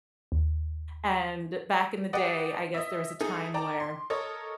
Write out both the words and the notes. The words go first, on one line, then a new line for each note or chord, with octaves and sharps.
and back in the day, I guess there was a time where,
D#2
G4 B4 D5 D#5 F#5 G5
D#5 E5
D#4 G#4 A4
D5 G5 A5 A#5 D6
C6
A4 A#4 C#5 D#5